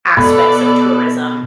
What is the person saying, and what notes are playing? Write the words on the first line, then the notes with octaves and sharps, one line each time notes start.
aspects of tourism,
B2 B3 A4 D5 B5